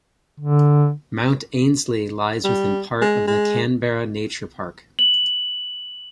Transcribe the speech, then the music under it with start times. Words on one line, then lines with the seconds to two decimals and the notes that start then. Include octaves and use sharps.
Mount Ainslie lies within part of the Canberra Nature Park.
0.40 D3
2.44 G3
3.02 G#3
3.27 G#3
4.99 F#7